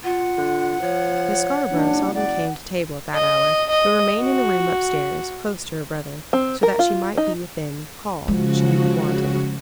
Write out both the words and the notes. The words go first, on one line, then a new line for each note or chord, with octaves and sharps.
Miss Scarborough seldom came to table at that hour, but remained in a room up-stairs, close to her brother, so that she might be within call should she be wanted.
F4 F#5
D3
F3 C#5
F#1 D4
D5 F#5
D#5
D#5
F#4
C4
A#4
F4
D#4
C#3 F3 G#3 F#4